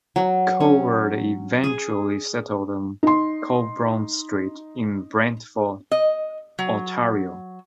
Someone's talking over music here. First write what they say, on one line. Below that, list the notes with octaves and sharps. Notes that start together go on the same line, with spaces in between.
Cowherd eventually settled on Colborne Street in Brantford, Ontario.
F#3
C#4
G#4
D#4 C6
D#5
F#3